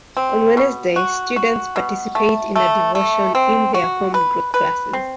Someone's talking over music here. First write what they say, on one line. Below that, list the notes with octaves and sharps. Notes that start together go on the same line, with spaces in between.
On Wednesday, students participate in a devotion in their homegroup classes.
C4
B2
F#4
F#4
B2
A3
A3
A3
C4
F#4
B4
B4
C4